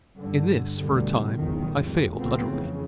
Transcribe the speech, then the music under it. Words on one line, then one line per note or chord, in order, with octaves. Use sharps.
In this, for a time, I failed utterly.
G2 D3
D2 B2 D3 G3
F#1 B1 E2 G#2 D#3 F3
G#1 F2 A2 G3
C#2 A#2 F3 A3 B3 C4
F2 C#3 E3